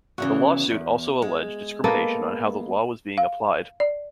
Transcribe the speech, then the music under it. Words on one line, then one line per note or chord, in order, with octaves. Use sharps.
The lawsuit also alleged discrimination on how the law was being applied.
E2 C#3 E3 F#4
E2
G#3
A#3 B3 A4
F5
D5